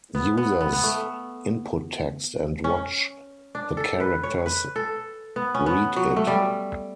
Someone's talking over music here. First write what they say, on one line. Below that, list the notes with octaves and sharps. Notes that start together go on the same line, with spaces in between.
Users input text and watch the characters read it.
B3
B3
B3
B3
A3
C#4
D4
A4
B4
C#5
B4
A4
B3
C#4
B3
F#3
A3
G3